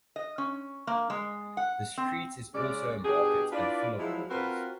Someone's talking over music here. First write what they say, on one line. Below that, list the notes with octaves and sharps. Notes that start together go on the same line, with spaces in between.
The street is also a market and full of hawkers.
D#5
C#4
A#3
G#3
F#5
C4
C#3 G#3 C#4 D5
B2 D4 G4 G#4
D4 E4 F4 B4 D5
F3 F#3 G#3 E4
C4 F4 F#4 A#4 B4